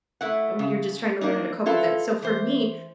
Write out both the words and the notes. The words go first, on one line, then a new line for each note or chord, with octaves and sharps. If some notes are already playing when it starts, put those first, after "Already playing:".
and when you're just trying to learn how to cope with it, so for me,
A3 E4 F#5
C#3
A#3 D4 D#4
E4 F4 A4 B4
E3 C5